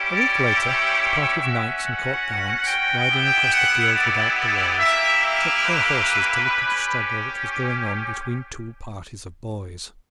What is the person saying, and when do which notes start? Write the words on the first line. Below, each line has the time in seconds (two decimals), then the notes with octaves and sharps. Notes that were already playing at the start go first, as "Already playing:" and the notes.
A week later a party of knights and court gallants, riding across the fields without the walls, checked their horses to look at a struggle which was going on between two parties of boys.
Already playing: G3 C#4 E4 G4
0.12 D5
0.55 E5
1.39 C#4 F#4
1.82 F#5
2.67 G5
3.09 B3 E4 G4
3.52 F#5
3.94 D5
4.36 D5
4.79 A#3 E4 G4 E5
5.21 E5
5.64 B4
6.49 C#4 G4